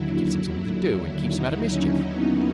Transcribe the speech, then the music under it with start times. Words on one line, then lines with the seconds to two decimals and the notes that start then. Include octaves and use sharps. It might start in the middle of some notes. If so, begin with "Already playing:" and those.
It gives him something to do and keeps him out of mischief.
Already playing: D#2 D3 F#3 E4
1.29 D#4
1.68 C#4
2.07 B3